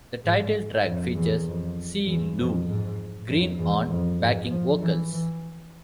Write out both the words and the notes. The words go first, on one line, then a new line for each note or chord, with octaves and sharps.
The title track features Cee Lo Green on backing vocals.
G#2
F2
E2
F2
E2
F2
G#2
F2
E2
F2
G#2
F3
E3
E3